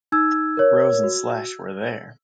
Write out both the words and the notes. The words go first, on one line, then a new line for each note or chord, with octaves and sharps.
Rose and Slash were there.
D#4 E6 G#6
A#4 C#5
F#4